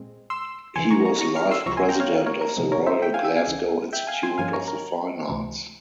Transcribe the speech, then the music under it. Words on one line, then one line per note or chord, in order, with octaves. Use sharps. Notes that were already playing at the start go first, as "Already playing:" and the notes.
He was Life-President of the Royal Glasgow Institute of the Fine Arts.
Already playing: A#2 G#3 C4
C6 E6
F2 C#3 E3 G#5 C6
A#5 C#6
A#5 C#6
A#5 C#6
C#6 F6
C6 E6
C#2 C3 F3 C4 A#5 C#6
G#5 C6
G5 A#5
C#5 F5
A#4 C#5
A#4
C3 F3 G#3 C4
A#4 C#5
C5 E5
E5 G5
F5 G#5
E5 G5
F5 G#5
C#2 C#3 E3
E5 G5
F5 G#5
G#5 C6
G2 F3 A#3 C#4 F5 G#5
A#4 C#5
A#4
C#2 C3 E3